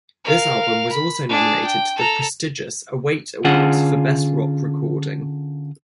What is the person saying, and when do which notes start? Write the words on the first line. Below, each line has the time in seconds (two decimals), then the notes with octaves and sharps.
This album was also nominated to the prestigious Awit Awards for Best Rock Recording.
0.24 A#4 F5
0.92 B5
1.29 D4 G#4
1.64 G5
1.96 A4 A#5
3.44 D3 C#4 F4 G#4 F#5